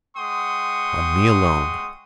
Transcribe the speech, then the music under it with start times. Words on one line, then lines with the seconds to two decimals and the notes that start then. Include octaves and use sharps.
On me alone.
0.17 G#3 F#5 G5 C6 C#6 D#6